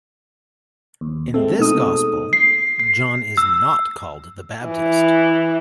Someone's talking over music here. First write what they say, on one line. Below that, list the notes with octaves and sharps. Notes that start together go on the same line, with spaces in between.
In this gospel, John is not called the Baptist.
D#2
G#3 A3 C4 A4
B2 D#4 D#6
C7
C7
E6
E3